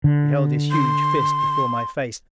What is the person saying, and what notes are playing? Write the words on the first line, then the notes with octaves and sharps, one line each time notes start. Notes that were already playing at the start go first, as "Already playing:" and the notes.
He held his huge fist before my face.
D3
C6